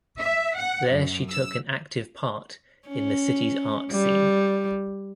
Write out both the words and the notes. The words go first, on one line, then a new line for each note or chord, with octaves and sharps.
There she took an active part in the city's art scene.
E5
F#5
F#2
E6
C#4
G3